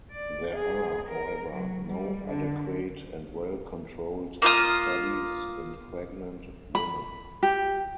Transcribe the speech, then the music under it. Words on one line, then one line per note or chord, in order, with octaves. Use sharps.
There are, however, no adequate and well-controlled studies in pregnant women.
D5
G#4
A#4
F#3
G3
D3
A#3 F4 D#6
B5
G4